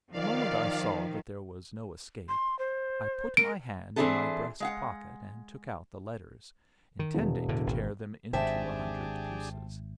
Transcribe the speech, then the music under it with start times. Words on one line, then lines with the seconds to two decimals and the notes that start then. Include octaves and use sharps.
The moment I saw that there was no escape, I put my hand in my breast-pocket and took out the letters, intending to tear them into a hundred pieces.
0.11 D#3 F3 D5 F5
2.28 C6
2.59 C5
3.37 A#4 D7
3.96 E3 C4 D4 E4 G#4 A4
4.60 G#3 F5 F#5
6.99 D#3
7.14 E1
7.49 A2 D3
7.67 G#1
8.33 G#1 D4 G4 G#4 C5 E5 G5 A5